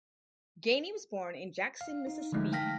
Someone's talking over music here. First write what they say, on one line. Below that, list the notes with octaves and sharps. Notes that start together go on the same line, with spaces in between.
Gainey was born in Jackson, Mississippi.
F5
D#4
D3 F3 G#3 A3 D#4
F5 G5 A5 F6 A#6 B6